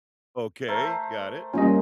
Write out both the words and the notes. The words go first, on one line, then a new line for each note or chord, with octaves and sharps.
Okay. Got it.
A3 A#4 C5
G3 A#3 C#4 F4 D#5